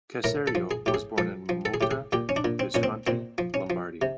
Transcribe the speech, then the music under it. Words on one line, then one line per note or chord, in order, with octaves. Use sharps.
Caserio was born in Motta Visconti, Lombardy.
A2 A#4
A4
F3
G#4
A2 G4
G#4
F3 A4
F3
A4
G#4
A2 G4
G#4
A#2 G4
C#4
D4
A#2
C4
A#2 C#4
C4
A#2 C4
F3
C#4
F3
C3